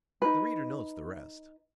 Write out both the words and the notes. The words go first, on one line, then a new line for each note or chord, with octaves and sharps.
The reader knows the rest.
D#4 B4